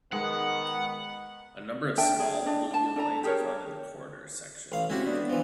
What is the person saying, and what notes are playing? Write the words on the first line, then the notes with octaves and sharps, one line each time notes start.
A number of small alluvial plains are found in the corridor section.
D#3 G#3 B3 F#5
D4 A4 E5 G5
G#4
D4 D#5
D4 A5
D4 A4 E5 A#5
G4 G#4 A#4 C#5
A1 F5
G#3 C4 C#4 E4 F#4 G4
B3 D4
E3 F3